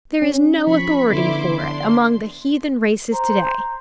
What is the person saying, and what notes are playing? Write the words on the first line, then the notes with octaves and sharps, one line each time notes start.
There is no authority for it among the heathen races to-day.
C#4
F3 B5 C#6 B6
D3 B3 E4 C6 D6
D4 C6
C5 A#5